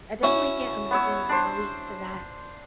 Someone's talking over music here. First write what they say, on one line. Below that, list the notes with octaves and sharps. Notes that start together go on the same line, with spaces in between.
I definitely can't imagine or relate to that-
C#4 E4 F#4
B3 C#5 E6
D4 C5